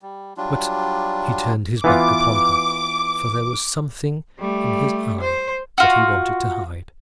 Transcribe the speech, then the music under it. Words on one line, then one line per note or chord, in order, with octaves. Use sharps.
But he turned his back upon her, for there was something in his eye that he wanted to hide.
G3
F#3 G3 D4 F4
E3 B3 F4 D6
G3 A3
C5
F4 F#4